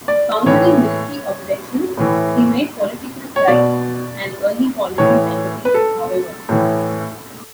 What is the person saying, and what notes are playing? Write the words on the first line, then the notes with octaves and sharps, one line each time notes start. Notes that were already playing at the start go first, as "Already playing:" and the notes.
Countering military objections, he made political rights an early policy centerpiece, however.
D5
A2 E3 C#5
A2 E3
C#5
B2 D5
A2 E3 C#5
B4
A4
A2 E3